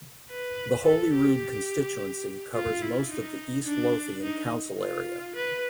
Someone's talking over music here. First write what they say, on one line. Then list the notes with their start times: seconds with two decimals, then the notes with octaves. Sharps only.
The Holyrood constituency covers most of the East Lothian council area.
0.31 B4
0.86 A4
1.15 G4
2.55 F4
2.83 E4
3.11 D#4
3.67 D4
4.23 D#4
4.80 F4
5.36 B4